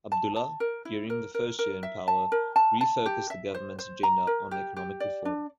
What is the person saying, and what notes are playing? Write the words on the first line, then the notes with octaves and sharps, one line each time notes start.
Abdullah, during the first year in power, refocused the government's agenda on economic reform.
A5
A5
A#4
E4
A#4
A#4
A#4
E5
A5
A#4
A5
A5
G4
E5
C5
C5
A#5
A#4
G4
G4
D5
D4